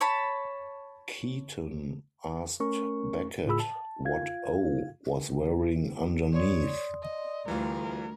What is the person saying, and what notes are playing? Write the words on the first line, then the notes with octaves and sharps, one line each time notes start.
Keaton asked Beckett what O was wearing underneath.
C#5 A5 B5
A3 C#4 A#4 C#6
A2 F4 G#4 B5 E6
A5
F4 F5 G#6
C#5 D5 C6 D#6
D#5
D2 E3 G3 F4 A#4